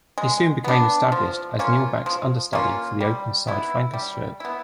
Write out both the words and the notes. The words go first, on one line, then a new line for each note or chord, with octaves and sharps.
He soon became established as Neil Back's understudy for the openside flanker shirt.
G#3
B3 D4
F3
A#3 C#4 F4
F3
A#3 C#4 F4
G3
B3 E4
G3
B3 E4